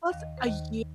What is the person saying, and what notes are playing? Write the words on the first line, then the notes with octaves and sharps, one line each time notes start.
Plus a year.
D#2 D#3 F5
D#5
C5
D#2 D#3 D#5